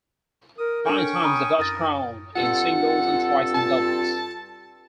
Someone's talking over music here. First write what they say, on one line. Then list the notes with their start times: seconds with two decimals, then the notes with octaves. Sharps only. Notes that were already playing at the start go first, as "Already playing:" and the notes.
Nine times the Dutch crown in singles and twice in doubles.
0.58 A#4 D#6
0.85 C#4 D4 A4 G5 C#6
1.24 A#5 B5 D#6
1.59 F#2 A#4 A6
2.36 G2 C4 F4 A4 F#5
3.55 A5